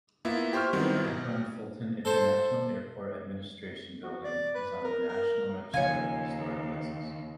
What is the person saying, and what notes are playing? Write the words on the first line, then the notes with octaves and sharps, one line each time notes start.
The Akron-Fulton International Airport Administration Building is on the National Register of Historic Places.
A#3 B3 E4 F4 E5
G4 C5 C6 C#6 F6
D#3 F#3 G3 B3 C4 E4
B2
A4 C5
F#4
D5
B4
A#4
A#4
D#2 C#3 F3 C#5 F5 G#5